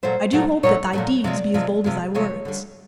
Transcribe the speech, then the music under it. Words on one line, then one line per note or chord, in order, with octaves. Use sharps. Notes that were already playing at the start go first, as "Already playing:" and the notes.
"I do hope that thy deeds be as bold as thy words."
A#2 F#3 A3 C5
A#2 F#3 A3
A#2 F#3 A3 C#5
A#2 F#3 A3
C3 F3 G#3 D5
C3 F3 G#3
C3 F3 G#3
C3 F3 G#3 C#5
D3 G3